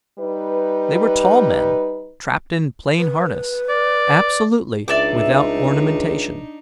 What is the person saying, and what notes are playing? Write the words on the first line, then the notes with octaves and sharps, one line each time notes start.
They were tall men trapped in plain harness, absolutely without ornamentation.
G3 D#4 B4
B4
D5
C#2 D4 D#4 D5 E5 D6